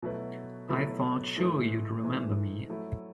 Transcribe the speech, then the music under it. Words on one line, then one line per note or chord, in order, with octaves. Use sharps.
I thought sure you'd remember me.
B2 F#3 A3 E4 B4
B2 F#3 A3 E4 B4
G#2 E3 A3
G#2 E3 A3
F#3 A3 E4